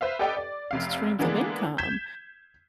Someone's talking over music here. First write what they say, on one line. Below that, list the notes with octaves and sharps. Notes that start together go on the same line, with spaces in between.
streams of income,
B4 C5 E5 F5
G4 A4 B4 D5 D#5 G5
D5
F1 C3 F5
D3 E3 G#3 A#3 B3 D4
G6 G#6 B6 E7